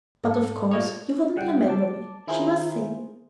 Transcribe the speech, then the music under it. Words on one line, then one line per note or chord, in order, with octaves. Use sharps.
"But of course you wouldn't remember me," she was saying.
G#2 A4
A#2 A#3 C#5
C#3 G3 F#5 G5
A5 D6
D#3 E4 F4 G#4 A#4 C5